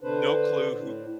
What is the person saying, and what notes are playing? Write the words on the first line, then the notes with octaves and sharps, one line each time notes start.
No clue who
D3 D4 B4 C5
A2